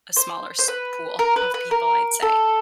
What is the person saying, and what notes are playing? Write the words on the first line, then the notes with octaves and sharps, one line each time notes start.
a smaller s pool of people, I'd say.
C5
C5
B4
A#4
B4
B4
A#4
A4